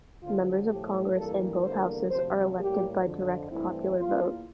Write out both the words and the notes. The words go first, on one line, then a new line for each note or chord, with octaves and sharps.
Members of Congress in both houses are elected by direct popular vote.
D2 D3 F3 F4
A2 F3 A3 G4
G2 E3 G3 A#3 A4
E2 D3 G3 A#3 C5
D2 C3 F3 C5
A2 G3 A#3 G4
F2 D3 F3
G2 E3 A3 C4 E4
E2 E3 A#3 F4